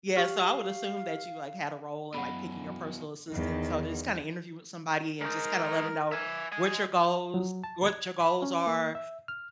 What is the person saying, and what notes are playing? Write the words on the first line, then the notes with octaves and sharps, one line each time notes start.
Yeah, so I would assume that you, like, had a role in, like, picking your personal assistant, so, just, kinda, interview with somebody and, just, kinda, let them know what your goals what your goals are,
G4 F5 C#6 F6
F#2 B2 E3 F#5 B5
E2 D#3
G#3 D#4 A#4
E5 G#5
D#5 G#5
F#3
A5
G#6
B5
C#4
A#3
E5
F6